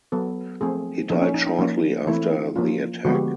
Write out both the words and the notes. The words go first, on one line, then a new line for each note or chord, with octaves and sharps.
He died shortly after the attack.
F#3 B3 A4
F3 A3 C4 G#4
F3 A#3 C#4 D#4
C#4
D#4
D#4
F3 A#3 C#4 D#4
E3 A3 C4 E4
F3 A#3 C#4 F4
D3 F3 G#3 B3 F#4
G4